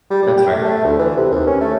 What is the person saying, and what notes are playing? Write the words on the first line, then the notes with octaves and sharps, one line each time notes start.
That's fair.
G3
G3
G4
A3
A3
D2
E3
C3
D#2
C#4
A3